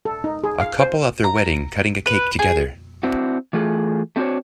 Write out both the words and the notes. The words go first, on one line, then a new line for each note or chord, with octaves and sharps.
A couple at their wedding cutting a cake together.
A4
D#4
G#4
F5
C5
A#5
B4
G#4
C4 D4 E4 F#4
E3 A3 F4 G#4
A3 C4 D4 F#4 C5 C#5